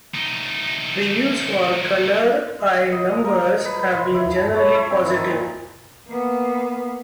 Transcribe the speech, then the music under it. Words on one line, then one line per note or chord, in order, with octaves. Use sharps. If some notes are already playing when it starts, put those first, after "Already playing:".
Reviews for "Colour by Numbers" have been generally positive.
A3 D#4
D#5
A#4
B4
C6
E4
A5
C#5
E4
C4
D#3
A#2
A#3 B3